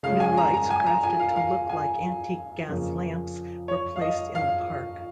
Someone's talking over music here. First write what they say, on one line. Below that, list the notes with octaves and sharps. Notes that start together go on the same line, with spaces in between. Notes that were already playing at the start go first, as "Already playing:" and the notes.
New lights crafted to look like antique gas lamps were placed in the park.
C#3 G#3 C#4 F5
G#5
A#5
A#5
G#5
A#5
G#5
F5
F5
G#5
F2 C#3 A#3 C#4
C#5
F5
D#5
F5